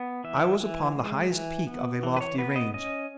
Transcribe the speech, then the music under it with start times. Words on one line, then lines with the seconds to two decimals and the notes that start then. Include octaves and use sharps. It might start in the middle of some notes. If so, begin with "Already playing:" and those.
I was upon the highest peak of a lofty range.
Already playing: B3
0.24 E3 E5
0.60 E3
0.95 G#3
1.31 E3
1.67 B3
2.03 E3
2.17 B4
2.21 C#5
2.38 B3 B4
2.56 D#5
2.74 C#4 D#5